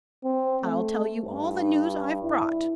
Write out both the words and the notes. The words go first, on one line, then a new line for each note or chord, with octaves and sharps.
I'll tell you all the news I've brought.
C4
A3
G2
E4